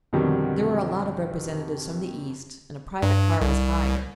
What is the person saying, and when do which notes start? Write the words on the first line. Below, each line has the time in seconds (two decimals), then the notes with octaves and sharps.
There were a lot of representatives from the East, and a private car was hired.
0.13 F2 B2 D3 D#3 F#3 G3
3.03 G2
3.41 C2